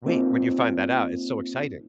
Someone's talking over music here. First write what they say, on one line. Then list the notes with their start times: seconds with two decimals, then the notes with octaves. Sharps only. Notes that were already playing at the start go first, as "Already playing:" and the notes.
"Wait, where'd you find that out? It's so exciting."
0.06 A#3 C4 D#4 F4